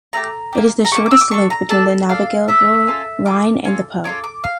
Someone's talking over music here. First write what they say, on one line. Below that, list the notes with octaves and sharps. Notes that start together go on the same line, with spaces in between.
It is the shortest link between the navigable Rhine and the Po.
A3 E4 G4 A#5
D4 G4
A#3
A#5
D4 G4 C#6
A#3
D6
E6
D6
D4 A4 C#6
A#5
D4 A4 A5
D4 A4 F5
D4 A4 E5
C#4 F4 A4
C#4 F4 A4 D6
C#4 F4 A4
C#4 F4 A4 D6
D6
F5